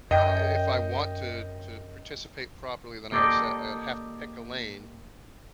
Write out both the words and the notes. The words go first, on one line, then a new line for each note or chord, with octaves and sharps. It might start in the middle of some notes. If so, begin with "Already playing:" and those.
e eh, if I want to, to participate properly, then I would say I would have to pick a lane,
F#2 D#5 G5
A#3 G4 A4 D5 D#5